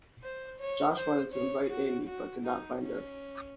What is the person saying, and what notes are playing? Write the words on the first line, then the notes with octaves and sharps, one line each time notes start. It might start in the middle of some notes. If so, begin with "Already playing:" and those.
Josh wanted to invite Amy, but could not find her.
C5
C#5
C5
C#5
F#4
F#4
D#4
C#4